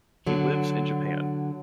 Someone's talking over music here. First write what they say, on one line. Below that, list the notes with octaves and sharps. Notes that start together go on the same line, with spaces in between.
He lives in Japan.
D3 F#3